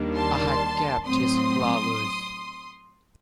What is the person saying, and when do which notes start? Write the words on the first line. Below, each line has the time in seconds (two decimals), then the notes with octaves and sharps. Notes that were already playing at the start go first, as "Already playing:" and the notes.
I had kept his flowers.
Already playing: D#2 D#3 G3 A#3 D4
0.17 A5 C6
1.05 A2 F#3 C4 C6 D#6